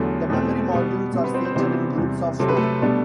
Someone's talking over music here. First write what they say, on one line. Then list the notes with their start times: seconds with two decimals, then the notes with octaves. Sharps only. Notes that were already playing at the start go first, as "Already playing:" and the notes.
The memory modules are seated in groups of four.
Already playing: E2 D3 F#3 A3 G4
0.30 E2 B2 A3 C4
0.72 B2 G3 B3
1.13 B2 G3 C4
1.24 B3 B4
1.34 C4 C5
1.45 C4 C5
1.55 C3 E3 G3 B3 C4 D4 C5
1.97 E2 C3 G3
2.39 C3 F#3 C4 A4
2.49 B4
2.57 A3 A4
2.82 B2 G3 B3 D4